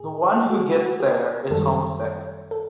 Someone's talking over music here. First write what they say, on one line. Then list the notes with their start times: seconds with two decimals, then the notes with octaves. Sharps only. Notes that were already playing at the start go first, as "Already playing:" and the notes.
The one who gets there is homesick.
Already playing: A2 G#4
0.50 F#4
0.76 F#4
1.00 G4
1.50 F#2 D#3 G3 A4
2.51 A4